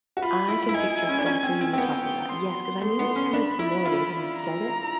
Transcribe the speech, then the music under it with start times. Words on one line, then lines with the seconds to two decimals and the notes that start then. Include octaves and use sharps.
I can picture exactly who you're talking about. Yes, 'cause I knew it sounded familiar when you said it,
0.17 F#4
0.22 F4 B5
0.48 E4
0.69 E4
0.74 D#4 G#5
1.09 C#4
1.19 D4
1.26 C#4
1.43 C4
1.61 C4
1.73 C4
1.78 B3 G5
2.30 C6
2.82 A3 C6
2.99 B3
3.16 C#4
3.33 D4 B5
3.59 E4
3.85 F4
4.37 A#5